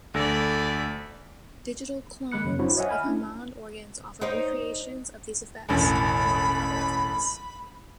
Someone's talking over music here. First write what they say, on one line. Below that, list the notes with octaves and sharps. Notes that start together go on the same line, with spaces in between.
Digital "clones" of Hammond organs offer recreations of these effects, along with other effects.
D2 A4 D5 B5 A#6
D#3 G#3 B5 F#6 C#7
F#2 C#3 F#3
F#3 D4 E4 F#4 C5 B5
C#5 D#5 E5 F#5 G#5
G#5 B5 F6
C#4 D4 E4
D#4 C5 D5
E1 A1 B5